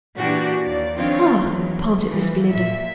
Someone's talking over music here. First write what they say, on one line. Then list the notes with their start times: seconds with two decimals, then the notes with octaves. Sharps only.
"Ah!" panted Miss Belinda.
0.15 A#2 E3 D4 F#4 G4
0.66 D#2 D5
0.96 D#3 F3 C4 D4 F4 C#5
1.41 E2 F#3
2.02 E3 F3
2.49 A#2 E5